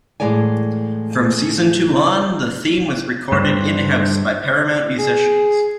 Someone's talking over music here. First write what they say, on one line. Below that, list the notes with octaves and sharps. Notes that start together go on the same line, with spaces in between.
From season two on, the theme was recorded in-house by Paramount musicians.
A2 E3 F3 G#3 D5 G#5
G2 D3 G3 B4 C5
G#4